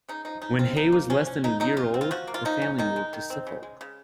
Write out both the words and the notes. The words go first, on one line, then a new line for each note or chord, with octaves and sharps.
When Hay was less than a year old the family moved to Suffolk.
C#3 D#4
F3 D#4
C#3 D#4
C4 F4
F3 D#4
A#3
F3 C#4
C#4
C#3 D#4
F#3 D#4
C#3 F4
C4
F4
F3 F#4
A#3
F4
F3 D#4
C#4
D#3 D#4
G#3
D#3
C4
C#3
G#3
C#3